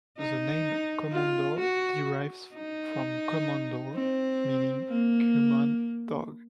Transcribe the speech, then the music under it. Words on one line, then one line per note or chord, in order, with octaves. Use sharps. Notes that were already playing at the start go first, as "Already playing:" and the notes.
The name Komondor derives from Koman-dor, meaning "Cuman dog".
D#4
F4
F#4
D#4
C4
A#3